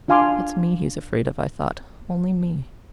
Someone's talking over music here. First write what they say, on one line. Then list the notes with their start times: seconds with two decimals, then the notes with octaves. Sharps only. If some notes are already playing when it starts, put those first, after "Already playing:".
It's me he's afraid of, I thought, only me.
0.08 D4 F4 F5 G#5 C6 D6